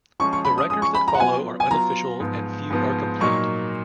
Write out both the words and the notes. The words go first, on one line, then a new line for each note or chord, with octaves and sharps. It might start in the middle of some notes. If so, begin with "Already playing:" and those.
The records that follow are unofficial and few are complete.
F3 G#3 C#4 G#4 C#6
C#6
B5
D#6
F3 G#3 C#4 G#4 D#6
C#6
B5
A#5
F#5
F#3 B3 F4 G#5
G#5
F#3 B3 F4 A#5
G#2 F3 B3
G#2 F3 B3
A#2 F#3 A#3 D#4 A#4 C#6